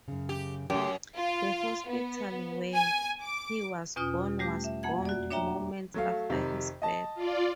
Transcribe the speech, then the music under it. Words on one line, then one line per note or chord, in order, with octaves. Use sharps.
The hospital where he was born was bombed moments after his birth.
F#2 C#3
G4
F#2 C#3 A3 G4
F4
B3
G#5
D6
E2 B2 C#4 F4 D#6
G3 A3 G4 D6
E5
F2 A#3 F#5 G#6
F#4 D5
D4 C#5 E5 G5 A#5
F#3 A3 F5
F2 C3 D#3
D#5 A5
F4 D5